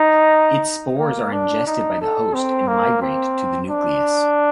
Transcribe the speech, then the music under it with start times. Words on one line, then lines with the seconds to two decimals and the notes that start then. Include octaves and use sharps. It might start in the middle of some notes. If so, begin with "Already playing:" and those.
Its spores are ingested by the host and migrate to the nucleus.
Already playing: D#4
0.99 A#3
1.32 D4
1.67 D#4
2.01 A4
2.34 C4
2.68 A#3
3.02 C4
3.70 D4